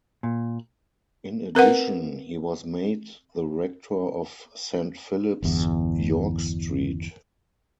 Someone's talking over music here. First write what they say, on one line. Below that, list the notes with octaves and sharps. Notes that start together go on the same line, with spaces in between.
In addition, he was made the rector of Saint Philip's, York Street.
A#2
C4 A#4 B4 F#5
G1 E2